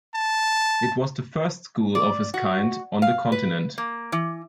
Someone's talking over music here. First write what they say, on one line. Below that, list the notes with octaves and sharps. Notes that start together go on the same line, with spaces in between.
It was the first school of its kind on the continent.
A5
D5
F#4
F5
B4
A#3
E3